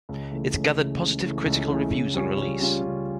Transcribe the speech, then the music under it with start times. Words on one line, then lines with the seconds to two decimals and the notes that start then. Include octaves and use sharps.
It gathered positive critical reviews on release.
0.09 C#2
0.31 C#3 E3 A3
0.54 C#2
0.77 C#3 E3 A3
1.00 C#2
1.23 C#3 E3 A3
1.46 C#2
1.68 C#3 E3 A3
1.92 C#3
2.14 G3 C#4 F4
2.37 C#3
2.60 G3 C#4 F4
2.83 C#3